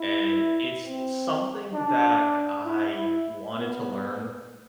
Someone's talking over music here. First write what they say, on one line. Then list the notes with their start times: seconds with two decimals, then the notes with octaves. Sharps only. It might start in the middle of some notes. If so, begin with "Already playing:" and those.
And it's something that I wanted to learn,
Already playing: E4
0.85 C4
1.75 D4
2.66 E4
2.97 E4
3.57 B3